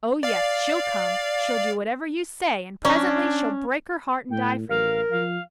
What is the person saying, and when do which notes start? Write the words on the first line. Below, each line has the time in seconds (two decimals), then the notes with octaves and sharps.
Oh, yes, she'll come! she'll do whatever you say, and presently she'll break her heart and die for you.
0.23 D5 F5
2.85 C#4 D4 D5 A#5 C#6
4.30 A2 G5
4.69 A1 A#4 F5
5.10 F3 F5